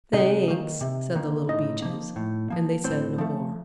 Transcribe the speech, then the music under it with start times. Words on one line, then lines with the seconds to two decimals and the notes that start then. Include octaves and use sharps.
"Thanks," said the Little Beeches, and they said no more.
0.13 C3 D#4 D#5
0.48 D#3 A#3
0.81 C3
1.15 D#3 A#3
1.49 A2 D#4 D#5
1.82 F3 A#3
2.16 A2
2.50 F3 A#3
2.84 A2 C4 C5
3.18 F3 A3